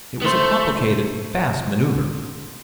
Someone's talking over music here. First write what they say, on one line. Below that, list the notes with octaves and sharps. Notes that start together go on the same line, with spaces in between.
It was a complicated, fast maneuver.
B3
A3 C5